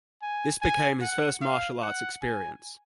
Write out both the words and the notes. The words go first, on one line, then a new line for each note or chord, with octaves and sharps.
This became his first martial arts experience.
G#5
G#5
F#5
F5
F#5
G#5